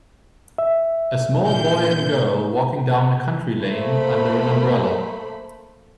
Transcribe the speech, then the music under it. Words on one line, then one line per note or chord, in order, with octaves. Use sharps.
A small boy and girl walking down a country lane under an umbrella.
E5
A#2 D3 G6
A3 A#3 C5 B5